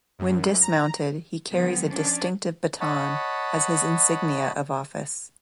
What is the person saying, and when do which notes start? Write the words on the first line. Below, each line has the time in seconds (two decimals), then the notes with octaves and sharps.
When dismounted he carries a distinctive baton as his insignia of office.
0.19 F#2
0.61 A#5
1.51 D3 F3 G3 B3 C4
1.89 C#4 D4 D5
2.80 C#5 D#5 F#5 A5 B5